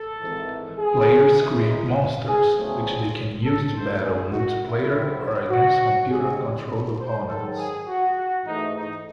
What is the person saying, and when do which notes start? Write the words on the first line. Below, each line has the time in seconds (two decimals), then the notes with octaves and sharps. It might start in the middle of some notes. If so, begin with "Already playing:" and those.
Players create monsters, which they can use to battle multiplayer or against computer-controlled opponents.
Already playing: A4
0.20 G#1 G#2 E3
0.78 G#4
1.37 E2 C#3 E3 G#3
1.67 D#4
2.25 G#4
2.55 E2 C#3 F#3 A3 C4 G#4
3.44 A4
3.73 A1 G#2 F#3 A3 C5
4.03 G#4
4.32 F#4
4.62 E4
4.91 C#2 C3 F#3 C4
5.50 F#4
6.09 A1 A2 G#3 C4 G#4
6.97 C5
7.27 G#2 D#3 F#3 A4
7.56 G#4
7.86 F#4
8.16 F#4
8.44 G#2 E3 A3 D#4
8.75 D#4